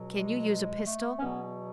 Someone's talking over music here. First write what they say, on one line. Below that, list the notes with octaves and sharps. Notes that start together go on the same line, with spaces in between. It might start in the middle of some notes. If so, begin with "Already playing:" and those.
"Can you use a pistol?"
Already playing: C#2 B2 F#3
G#3
A3
C#4
E2 B2 F#3 B3